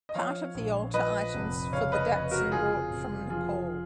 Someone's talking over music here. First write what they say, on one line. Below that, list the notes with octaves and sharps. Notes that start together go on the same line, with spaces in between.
Part of the altar items for the datsan brought from Nepal.
D#5
F3 C#5 F5
A#1
F3 B4 D#5
F1
C#3 C#5 F5
B4 D#5
F1 B4 D#5
F#4 A#4
C#3 F4 G#4
F1
F3 F4 G#4